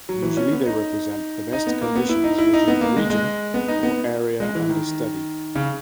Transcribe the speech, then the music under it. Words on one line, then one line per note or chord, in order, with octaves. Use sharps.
Usually they represent the best conditions within the region or area under study.
F#3
E3
C#4
B3
D#4
D#4
B3
A#3
B3
E4
D#4
E4
D#4
B3
A#3
G#3
G#3
B3
D#4
B3
G#3
E3
D#3
C#3